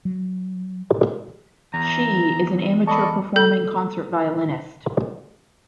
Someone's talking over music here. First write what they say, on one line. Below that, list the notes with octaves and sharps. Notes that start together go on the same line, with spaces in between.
Shi is an amateur performing concert violinist.
F#3
E2 A#5
A4 D5 D#5 A5 B5 C#6
A4 G6